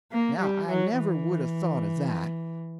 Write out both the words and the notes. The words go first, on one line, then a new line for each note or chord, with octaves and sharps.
Now I never would 'a' thought of that.
A#3
G3
F#3
E3